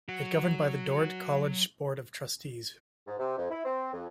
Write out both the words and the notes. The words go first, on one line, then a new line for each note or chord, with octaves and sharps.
It governed by the Dordt College Board of Trustees.
F#3 F#4
G#2
C3
F2
E4
C4
F2